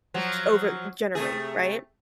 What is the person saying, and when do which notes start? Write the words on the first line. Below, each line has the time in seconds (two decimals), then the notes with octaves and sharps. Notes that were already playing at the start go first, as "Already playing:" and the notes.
g over generally right?
0.14 F3 F#3
1.15 C3 A3 G#4